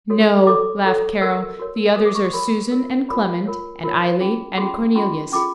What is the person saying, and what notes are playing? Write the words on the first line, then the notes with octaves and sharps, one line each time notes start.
"No," laughed Carol, "the others are Susan, and Clement, and Eily, and Cornelius."
F#4 A4 C#5
F#4 A4 C#5 D6
F#4 A4 C#5
F#4 A#4 C#5 E6
F#4 A#4 C#5
F#4 A#4 C#5 D#6
D6
C#6
C6
F#4 A#4 C#5 B5
F4 A#4 C#5
F4 A#4 C#5 B5
F4 A#4 C#5
F4 A#4 C#5
C#4 F4 G#4
C#4 F4 G#4 C6
C#4 F4 G#4 C6
C#4 F4 G#4 D6